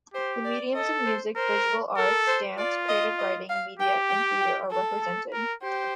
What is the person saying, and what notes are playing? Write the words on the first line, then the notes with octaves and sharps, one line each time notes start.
The mediums of music, visual arts, dance, creative writing, media and theater are represented.
G4 C5
D5
A4 D#5
C5
A#4 C5
A4 A#4
C5
F4 D5
D#5
D#5
F5
G4 G5
G5
G5
A4
A4
A#4
G4 C5